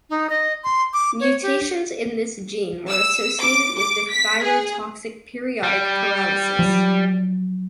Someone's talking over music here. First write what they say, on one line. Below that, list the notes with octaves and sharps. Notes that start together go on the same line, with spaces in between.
Mutations in this gene were associated with the thyrotoxic periodic paralysis.
D#4
D#5
C6
D6
C#5
G4
E6
D6
D6
B6
G#4
G3
F3 F#3